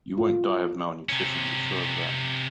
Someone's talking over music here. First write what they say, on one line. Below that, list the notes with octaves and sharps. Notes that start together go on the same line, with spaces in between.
You won't die of malnutrition, be sure of that.
F4
C3 C#4